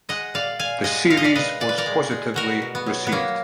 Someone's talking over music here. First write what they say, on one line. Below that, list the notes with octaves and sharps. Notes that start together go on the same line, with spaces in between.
The series was positively received.
G#3 D#5 F#5
A#2 D5 F5
A#2 F5 G#5
G#3 D#5 F#5
G#3 F5
D#5
D5 F5
A#2 B4 D#5
A#2 D5
B4
A#4 D5
G#3
G#3
B2 F#4 A#4
B2
B3
F#3
B3
F#3 A#3